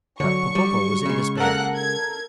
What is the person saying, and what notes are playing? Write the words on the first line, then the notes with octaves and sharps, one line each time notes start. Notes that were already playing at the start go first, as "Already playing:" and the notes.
But Popopo was in despair.
D3 F#3 C#5 C#6
G3
C#3 G#3
A#3 A4 A#4 F#5 F#6
G#6